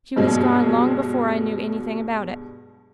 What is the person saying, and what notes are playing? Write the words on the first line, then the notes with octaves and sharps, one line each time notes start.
She was gone long before I knew any thing about it.
G2 B2 F#3 G#3